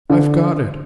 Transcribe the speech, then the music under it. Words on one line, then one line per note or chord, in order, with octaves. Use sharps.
I've got it!'
D3